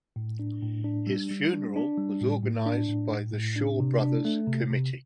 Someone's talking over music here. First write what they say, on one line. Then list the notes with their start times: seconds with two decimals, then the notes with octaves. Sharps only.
His funeral was organised by the Shaw Brothers committee.
0.16 A2
0.39 D4
0.63 A2
0.84 D4
1.07 G3
1.31 G3
1.53 D4
1.76 D4
1.98 G3
2.21 A2
2.43 A2
2.66 D4
2.89 A2
3.11 A2
3.33 A2
3.56 D4
3.80 C3
4.01 D4
4.25 A3
4.47 C3
4.70 C3